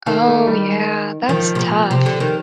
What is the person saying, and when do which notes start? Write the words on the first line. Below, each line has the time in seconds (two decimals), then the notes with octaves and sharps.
Oh, yeah, that's tough,
0.06 D#3 A#3
0.28 A3
0.47 G3
1.29 D#3 F3
1.55 C3
1.59 A#2
1.91 C3
2.06 D3
2.20 D#3